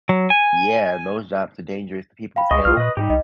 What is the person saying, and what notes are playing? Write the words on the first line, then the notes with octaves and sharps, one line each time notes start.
Yeah, those jobs are dangerous to people's health,
F#3
G#5
F5 G5 B5
C#2 G#3 D#5 C#6 D#6
B1 F4 F6
A#2 B4 D#5
G#2 G3 D#4 G4
C2 D#5